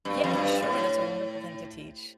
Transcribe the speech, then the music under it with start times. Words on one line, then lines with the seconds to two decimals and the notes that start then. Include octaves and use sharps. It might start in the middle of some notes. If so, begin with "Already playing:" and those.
Yeah, for sure, that's a wonderful thing to teach,
0.05 G2
0.24 F2
0.33 G2
0.62 A2